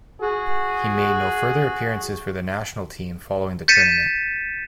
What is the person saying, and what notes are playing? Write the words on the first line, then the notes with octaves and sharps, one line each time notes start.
He made no further appearances for the national team following the tournament.
F#4 G#4
G6 A6 B6 C#7 D#7 E7